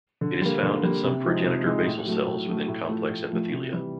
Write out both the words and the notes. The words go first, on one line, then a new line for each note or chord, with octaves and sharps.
It is found in some progenitor basal cells within complex epithelia.
D3
G3 A#3
D3
G3 A#3
C3
F3 G#3 C4 D#4
C3
F3 G#3 C4 D#4
A2
F#3 A3
A2
F#3 A3
A2
F3 A3
A2
F3 A3
C3
E3 G3